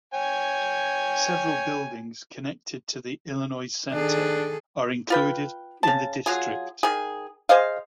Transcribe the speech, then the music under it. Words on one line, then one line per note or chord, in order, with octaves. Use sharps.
Several buildings connected to the Illinois Central are included in the district.
C#5 G5 G#5
D#3 D4 G#4 A4
F4 B4 G5
C#3 A5
F#3 F4 G#4
D#3 G#4
G#4 C5 D#5 F5